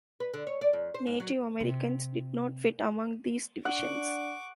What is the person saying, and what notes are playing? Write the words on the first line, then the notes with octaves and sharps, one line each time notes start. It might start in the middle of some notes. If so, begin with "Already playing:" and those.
Native Americans did not fit among these divisions.
B4
D3
C#5
D5
F2
C5
G#2
F#3
C3
D4 F#5 C#6 D6